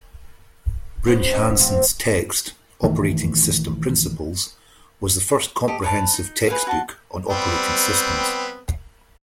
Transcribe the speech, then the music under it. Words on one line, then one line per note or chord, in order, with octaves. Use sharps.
Brinch Hansen's text, "Operating System Principles", was the first comprehensive textbook on operating systems.
B3 C#4 C5
B3 C#4 D#4
A2 F3 C4
A#1 D#3 E3 A3
G4 A4 D#5
B4 C#5 A5
D#4
G#4 B4 C#5 F5
F#4 A5 C6
G3 B3 C4